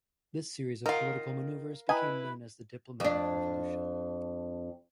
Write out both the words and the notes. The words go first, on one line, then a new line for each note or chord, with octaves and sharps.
This series of political maneuvers became known as the Diplomatic Revolution.
D#3 F4 A#4 F5
E4 B4 D#5 G5 G#5 A#5
F2 D4